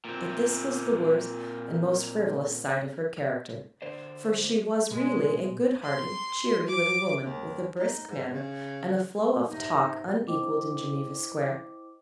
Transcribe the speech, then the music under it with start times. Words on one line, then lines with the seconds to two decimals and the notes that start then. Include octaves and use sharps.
But this was the worst and most frivolous side of her character, for she was really a good-hearted, cheery little woman, with a brisk manner, and a flow of talk unequalled in Geneva Square.
0.05 A#2 C4
3.82 D3 C5 D5
4.91 B2 G#3
5.82 C6
6.67 D6
7.25 D#2
7.79 D#4
8.10 G#2
8.33 C#3
9.48 G#2 C3 D#4
10.28 E4 C5 D#5 G5 D6